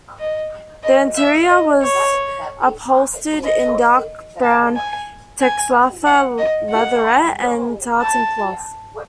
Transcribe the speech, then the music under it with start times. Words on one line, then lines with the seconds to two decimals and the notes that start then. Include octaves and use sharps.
The interior was upholstered in dark brown Texalfa leatherette and tartan cloth.
0.19 D#5
0.83 D#5
1.17 E5
1.49 D#5
1.82 C#5
3.44 D#5
4.43 A5
4.76 G#5
5.41 G#5
6.06 F#5
6.38 D#5
6.70 F#5
8.01 A5